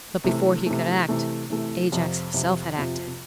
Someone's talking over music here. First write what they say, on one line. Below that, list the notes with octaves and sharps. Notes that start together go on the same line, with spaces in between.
But before he could act, Ajax himself had acted.
C3 E3 A3
C3 E3 A3
C3 E3 A3
C3 E3 A3
F2 C3 F3
F2 C3 F3
F2 C3 F3